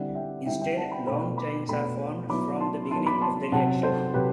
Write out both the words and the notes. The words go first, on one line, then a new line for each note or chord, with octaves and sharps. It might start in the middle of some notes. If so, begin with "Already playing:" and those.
Instead long chains are formed from the beginning of the reaction.
Already playing: D3 G3 C4 E4 D5 F#5
E5 G5
D3 G3 C4 E4 E5 G5
E5 G5
F#5 A5
G5 B5
B2 A3 D4 G5 B5
B5 D6
B2 A3 D4 G5 B5
F#3 B3 E4 B5 D6
A5 C6
F#3 B3 E4 A5 C6
B5 D6
A5 C6
C3 F#3 C4 F#5 A5
A4 C5
C3 F#3 C4 G4 B4